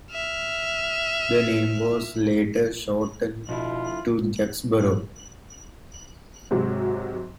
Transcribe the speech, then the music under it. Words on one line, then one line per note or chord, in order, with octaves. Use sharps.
The name was later shortened to Jacksboro.
E5 F6
F2 B2 D3 E4 F4
G#2 C3 F#3